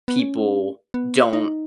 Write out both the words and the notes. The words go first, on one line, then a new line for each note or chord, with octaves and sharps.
people don't
B3
C#4
B3
D#4